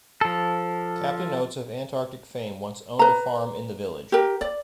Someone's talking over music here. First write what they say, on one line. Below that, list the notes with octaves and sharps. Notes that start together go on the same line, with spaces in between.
Captain Oates of Antarctic fame once owned a farm in the village.
F3 A4
B4 A#5
G4 A#4
D5